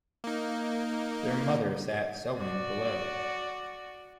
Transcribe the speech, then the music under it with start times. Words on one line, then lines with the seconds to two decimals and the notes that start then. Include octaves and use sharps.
Their mother sat sewing below.
0.24 A#3 D#4
2.39 F#4 D5